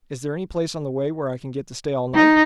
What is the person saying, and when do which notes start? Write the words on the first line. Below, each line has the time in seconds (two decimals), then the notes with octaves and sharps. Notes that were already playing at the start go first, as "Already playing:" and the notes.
"Is there any place on the way where I can get to stay all night?"
2.15 D#4